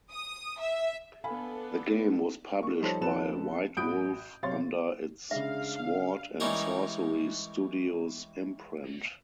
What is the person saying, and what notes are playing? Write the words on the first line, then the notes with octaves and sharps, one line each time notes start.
The game was published by White Wolf under its Sword and Sorcery Studios imprint.
D#6
E5
B3 D4 A4 F5 G#5 B5
A#3 C#6
F3 G3 D#4 A4 C5 C#5
F1 F3 A4 B4 E7
A1 F#4 B5 D#6 G6 D7
C3 F#3 C#5 F5 C6 A6
C#3 G#3 D4 E5 F5
E3 G3 G#3 C#4 D#4 A#4